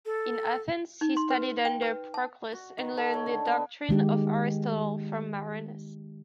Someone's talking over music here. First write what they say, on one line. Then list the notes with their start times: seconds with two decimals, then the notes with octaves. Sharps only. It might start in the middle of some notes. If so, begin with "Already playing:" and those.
In Athens, he studied under Proclus, and learned the doctrine of Aristotle from Marinus.
0.06 A4
1.01 D#4
1.17 C6
1.30 B4
1.65 G5
1.82 B4
2.14 A5
2.53 F#4
2.78 D#3
2.97 A4
3.14 C#5
3.26 D3
3.46 B3
3.89 D#3 G#3 G4